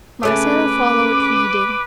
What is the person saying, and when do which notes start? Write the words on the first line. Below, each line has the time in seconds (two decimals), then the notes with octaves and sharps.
Marcella followed, reading.
0.23 C#3 A3 C#4 B4 D6